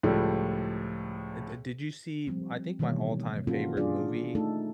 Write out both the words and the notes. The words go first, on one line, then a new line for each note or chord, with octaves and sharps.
uh, di did you see I think my all-time favorite movie,
C#2 A2 F3 G3 A3
F3 G3 C4
B2 D#3 E3 G3 A#3 C#5
A#3 C#4 F4 F#4 A4
D4 F4 G#4 D5
A3 D#4 A4